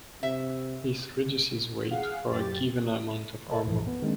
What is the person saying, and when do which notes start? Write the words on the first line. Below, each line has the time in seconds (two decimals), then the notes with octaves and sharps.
This reduces weight for a given amount of armour.
0.23 C3 E5
1.91 G#4 F5 F#5
2.30 F#2 G4 A6
3.51 A4 A#4 D5 D#5 A5
3.65 C2 G2 A#2 E3 F3
3.87 B3 B4
4.02 D#3 G#3 A#3 C4 D4